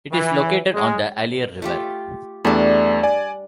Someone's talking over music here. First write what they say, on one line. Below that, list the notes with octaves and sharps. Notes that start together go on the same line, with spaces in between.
It is located on the Allier River.
E3
G#3
A3 F4 G4
E2 G3 A3 D4
D5 G#5